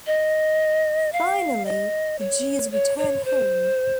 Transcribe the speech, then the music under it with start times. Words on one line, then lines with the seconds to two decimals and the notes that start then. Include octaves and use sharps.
Finally, the Jews return home.
0.07 D#5
1.13 F5
1.65 D#5
2.19 C#5
2.72 C#5
2.98 C#5
3.25 C5